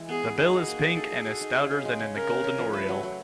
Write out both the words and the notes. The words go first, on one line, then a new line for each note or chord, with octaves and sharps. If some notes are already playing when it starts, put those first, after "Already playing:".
The bill is pink and is stouter than in the golden oriole.
Already playing: E3 G#3
B3 G#4
B3
D#4 G#4
F#4
A#3
D#4
A4
A4
F#4
D#4
C#3
C#3
G#3
C#4
C#3 A#4
C#4
C#4
F3
A3 B4
F#3
F#3